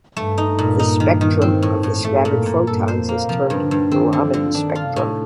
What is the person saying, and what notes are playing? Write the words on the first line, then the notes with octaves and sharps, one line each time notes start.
The spectrum of the scattered photons is termed the Raman spectrum.
G2 A3
D#4
A#2
D#4
D#3
D#3
C4
A2
A2
G2 A3
A#2
A#2
G2 A4
C5
F2
A#3
C3 F3
G2
D3
G2
D#3 C4
D3
F3
D3
D#3 D4
F4
C3
A2